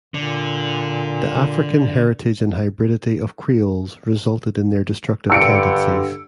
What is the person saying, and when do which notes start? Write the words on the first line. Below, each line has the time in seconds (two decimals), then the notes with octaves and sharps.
The African heritage and hybridity of Creoles resulted in their destructive tendencies.
0.14 A#2 D3
5.30 G2 D3 E6 C#7 D7